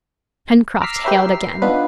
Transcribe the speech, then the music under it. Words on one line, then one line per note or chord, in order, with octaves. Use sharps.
Pencroft hailed again.
A#5 D6 E6 F6 B6 C7
G4 A#4 B4 C#5 E5
C7
B3 D4 D#4 F4 B4